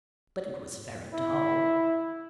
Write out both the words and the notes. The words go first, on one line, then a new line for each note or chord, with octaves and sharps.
But it was very dull.
E4